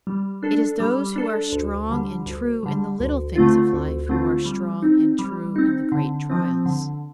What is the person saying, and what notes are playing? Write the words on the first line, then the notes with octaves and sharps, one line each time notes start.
"It is those who are strong and true in the little things of life who are strong and true in the great trials."
G3
D4 A4
G3
D4 A4
D2
D3 G3
D2
D3 G3
D2
D3 A3 C4 F4
D2
D3 A3 C4 F4
G3
C4 D#4
G3
C4 D#4
D3
F3 C4
D3